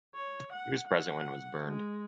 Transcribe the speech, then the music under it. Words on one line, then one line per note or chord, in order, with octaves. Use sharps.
He was present when it was burned.
C#5
F#5
F#5
G#3